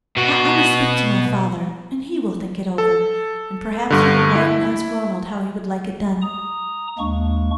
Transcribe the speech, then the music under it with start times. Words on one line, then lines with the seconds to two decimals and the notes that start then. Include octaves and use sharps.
I must speak to my father, and he will think it over, and perhaps he will write and ask Ronald how he would like it done.
0.17 B2 F#4
2.78 A4
3.90 G2 D3
4.35 E4
6.21 A#5 D#6
6.98 D#2 G#3 A#3 D4 C#6